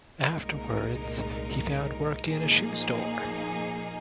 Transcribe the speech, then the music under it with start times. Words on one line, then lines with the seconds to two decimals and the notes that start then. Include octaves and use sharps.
Afterwards, he found work in a shoe store.
0.24 C2 A#2 G#3 D#4 A#4
2.29 A#2 F3 A#3 D#4 G#4